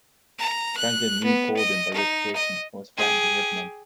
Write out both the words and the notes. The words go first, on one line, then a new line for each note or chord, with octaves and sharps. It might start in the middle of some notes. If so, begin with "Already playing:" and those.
Franklin knew Colden by reputation and was flattered to hear from him.
A#5
F#6
B3
D#5
D#4
D#5
G4 G#4